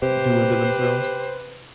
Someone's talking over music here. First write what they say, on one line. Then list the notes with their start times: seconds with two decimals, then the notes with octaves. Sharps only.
doing to themselves.
0.02 C3 G4 B4 C5